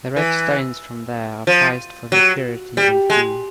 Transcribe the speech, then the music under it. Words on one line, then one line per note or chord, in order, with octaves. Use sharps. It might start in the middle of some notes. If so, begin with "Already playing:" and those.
The red stones from there are prized for their purity and hue.
E3
F3
F#3
G3
G#3